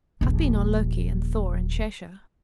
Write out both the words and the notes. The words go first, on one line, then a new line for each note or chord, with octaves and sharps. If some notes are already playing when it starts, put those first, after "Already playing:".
"I've been on Loki and Thor and Shesha."
D#1 A#1